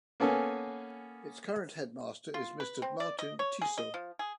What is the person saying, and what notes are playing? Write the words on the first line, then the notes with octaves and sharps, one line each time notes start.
Its current Headmaster is Mr Martin Tissot.
A#3 B3 C#4 A4 G#5
F4
B4
C4
D5
D#5
C#5
G#4
D#5
F3
G#4